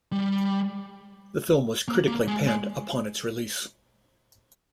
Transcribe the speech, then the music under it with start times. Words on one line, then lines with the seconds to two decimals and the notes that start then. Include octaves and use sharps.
The film was critically panned upon its release.
0.12 G3
1.88 A#3
2.08 A#3
2.27 G#3
2.47 G#3